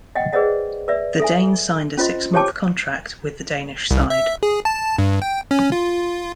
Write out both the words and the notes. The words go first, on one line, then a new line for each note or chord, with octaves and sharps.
The Dane signed a six-month contract with the Danish side.
D#5 F#5 G5
G#4 B4 C5 D5 D#5 F#5
B4 D5 E5
A4 E5 G#5
C#4 F4 C5 D#5 C6
G4 C5 C#5 G5 A5 D6
C2
E5
G#4
A5
G2
G5
C#4
F4